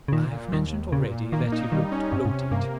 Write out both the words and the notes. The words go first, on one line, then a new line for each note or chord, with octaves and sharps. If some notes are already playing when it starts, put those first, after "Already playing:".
I have mentioned already that he looked bloated.
C#3
A#2 D#3
A#2
D#2 D#3
D#2
A#2 C#3
A#2
D#3 A#3
D#4
D#3 G3
C#4
G2 C3
G#2
C3
G2 A#3